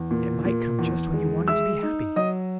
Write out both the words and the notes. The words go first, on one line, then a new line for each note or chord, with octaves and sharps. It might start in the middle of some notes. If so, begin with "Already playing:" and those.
"It might come just when you wanted to be happy!"
Already playing: E2
A#2
A#2
E2
G#3
G#3 E5 E6
D#4
F#3 D#5 D#6